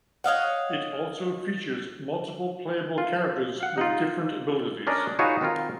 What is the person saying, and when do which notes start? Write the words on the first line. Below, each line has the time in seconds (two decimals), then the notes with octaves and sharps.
It also features multiple playable characters with different abilities.
0.24 C#5 D#5 F5 F#5
2.98 F4
3.60 F5 F#5
3.78 D#4 F4
4.87 C#4 D4 A#4 D5 D#5
5.19 D#4 F4 F#4 G#4 B4 C#5
5.41 D#3 C4 F4 A#4